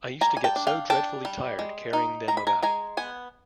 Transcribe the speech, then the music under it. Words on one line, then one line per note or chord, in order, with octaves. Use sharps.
I used to get so dreadfully tired carrying them about.
G3 G#5 A#5
G#5
G5 A5
D4
F5 G5
D4 G5 A5
G3
G#3
D#4
G#3 A#5
B5
G#5 A#5
G#3 G#5 A#5
B3 F#5 G#5